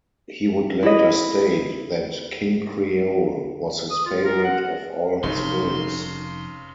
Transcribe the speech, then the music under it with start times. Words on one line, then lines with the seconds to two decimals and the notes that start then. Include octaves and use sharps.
He would later state that "King Creole" was his favorite of all his films.
0.83 E4 D#5
3.90 D#6
4.06 F4
4.25 A#4
4.44 F#5
5.23 F1 G2 C#3 D#4 C6